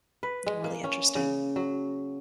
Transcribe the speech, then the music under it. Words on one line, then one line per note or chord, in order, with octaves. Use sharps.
really interesting.
B4
G#3
A#3
C#4
C#3
F#3